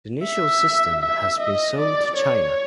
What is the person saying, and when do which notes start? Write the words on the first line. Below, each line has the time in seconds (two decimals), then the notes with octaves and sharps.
The initial system has been sold to China.
0.24 E5
1.01 E5
1.39 D#5
1.78 D5
2.17 C#5